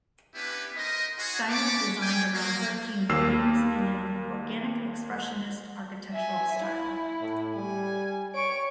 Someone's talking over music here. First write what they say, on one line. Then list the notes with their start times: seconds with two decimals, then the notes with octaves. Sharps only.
Steiner designed around thirteen buildings in an organic-expressionist architectural style.
0.34 B3 C#4 D4 E4 G4 B4
0.76 D#4 A#4 C5 D#5
1.18 F#4 G#4
1.50 F#5 A5 B5 C#6 D6
2.01 G5 G#5
2.34 A#3
3.09 D#2 A#3 E6 F6 C7
6.12 E5 G#5
6.60 E4
7.21 A2
7.56 G3 G#5
8.35 C#5 C#6 D7